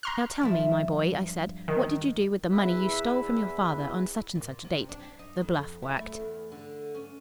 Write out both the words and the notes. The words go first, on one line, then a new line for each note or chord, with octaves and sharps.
'Now, tell me, my boy,' I said, 'what did you do with the money you stole from your father on such and such a date?' The bluff worked.
A#5 C6 F6
G2 F3 E5
D#3
E2 E4 B4 E5
A#2
C3
D4
D#4
F2
E4
A3
E2
D3
C#4